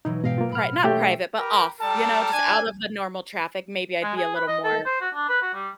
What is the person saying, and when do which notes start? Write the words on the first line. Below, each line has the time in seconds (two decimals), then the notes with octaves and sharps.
pri not private, but, off, you know, just out of the normal traffic, maybe I'd be a little more
0.05 B2 E3 F#3 D#4
0.24 G#2 B2 D#5 F5 G5
0.38 A#3 F4
0.52 A2 F#5 B5 F6
0.84 A3 D4 E4 F4 G4 C#5 G6
1.38 G4 A#4 B4
1.80 G3 A4 A#4 A5
2.31 D4 G#5
4.03 G#3
4.17 G#4
4.35 B4
4.48 D#5
4.64 A4
4.85 C5
5.01 F#4
5.14 D4
5.29 B4
5.42 F#4
5.54 G3